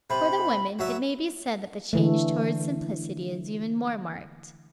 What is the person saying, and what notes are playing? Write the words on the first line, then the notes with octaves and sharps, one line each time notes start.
For the women, it may be said that the change towards simplicity is even more marked.
C3 B5
F#3 E5
D3 E3 A3